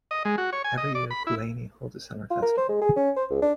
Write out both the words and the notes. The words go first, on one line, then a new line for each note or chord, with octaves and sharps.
Every year Coolaney holds a summer festival.
D#5
G#3
F#4
C#5
G#5
D#5
D5
B5
E4
F4
A#4
C5
G#3
G#4
C#4
C5
C#2
D4